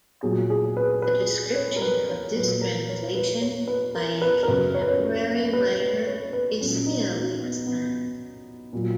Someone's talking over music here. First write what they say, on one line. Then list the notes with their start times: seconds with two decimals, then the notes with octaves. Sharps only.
The description of this translation by a contemporary writer is still extant.
0.23 A#2 F#3 G#4
0.50 G#4
0.77 B4
1.02 B4
1.55 C#5
1.76 A#4
1.82 B4
2.09 C#5
2.35 A#2 F#3 B4
2.61 A#4
2.89 C#5
3.15 B4
3.41 C#5
3.68 B4
3.95 A#4
4.22 B4
4.43 A#4
4.48 F#2 C#3 F#3 B4
4.74 C#5
4.82 B4
4.88 C#5
5.53 B4
5.80 B4
6.07 C#5
6.33 B4
6.61 A#2 F#3 C#4
6.86 D#4
7.13 F#4
7.40 B3
7.67 B3
8.73 A#2 F#3